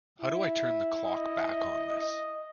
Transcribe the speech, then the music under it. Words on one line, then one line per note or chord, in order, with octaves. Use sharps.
How do I turn the clock back on this?
E4
D#5
D#5